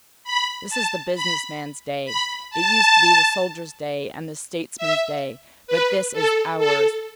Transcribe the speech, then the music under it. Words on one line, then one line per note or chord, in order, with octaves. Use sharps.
This is the business man's day; it used to be the soldier's day and the statesman's day, but this is OURS!
B5
A5
B5
B5
A5
E5
B4
A4
A4